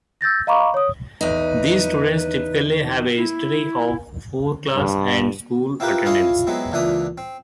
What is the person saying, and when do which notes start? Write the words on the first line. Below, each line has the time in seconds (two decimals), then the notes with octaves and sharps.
These students typically have a history of poor class and school attendance.
0.21 E6 G6 A6 A#6
0.47 D#5 F5 A#5 B5 C#6 D6
0.74 C#5 D#6
1.21 E2 D#4 B4
3.17 E4
4.74 G2
5.80 C4 E4 F4 G4 A#4 B4
6.06 E4 F4 G#4 C#5 D#5 F5
6.47 F#3 G#3 B3 C4 E4
6.72 C#2 A#2 E3 D4 E5 D#6
7.18 C4